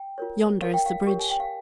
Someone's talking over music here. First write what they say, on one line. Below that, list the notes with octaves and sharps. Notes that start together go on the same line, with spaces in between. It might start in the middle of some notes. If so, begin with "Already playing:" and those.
"Yonder is the bridge."
Already playing: G5
F4 A#4 C#5
F4 A#4 C#5 F5
G5
F5
G4 A#4 C#5
G#5
G5
F5